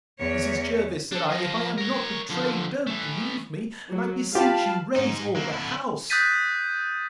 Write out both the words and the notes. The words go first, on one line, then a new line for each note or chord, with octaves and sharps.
Mrs. Jervis, said I, if I am not betrayed, don't leave me; and, I beseech you, raise all the house.
E2 C#5
D4 A4
F3 D#5
A#4 C#5
D3 F3
E3 A3
F#3
F4 G4 F5 A5 B5
G#2 D#4
F#3 A#3
D3 E4
D#6 F#6 G6 A6 B6 D#7